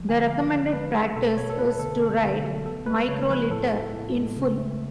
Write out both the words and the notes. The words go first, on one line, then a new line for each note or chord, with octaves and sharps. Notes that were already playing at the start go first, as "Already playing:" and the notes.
The recommended practice is to write "microlitre" in full.
Already playing: F3
D3 G#5
B3 F5
D3
G#3 B4
A3 G#4
B2 A4
B2 C#5
A4
A3 B4
D3 A4
B3
D3
F#3
B3 A4
G#3 B4
C#3 C#5
F3 B4
A2 A4
B3
A2
G#3
C#3
A3